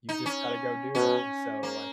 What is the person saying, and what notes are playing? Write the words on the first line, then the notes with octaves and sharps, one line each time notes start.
you just gotta go do it, and so, like,
D#4
C#4
B2 C#4
A#3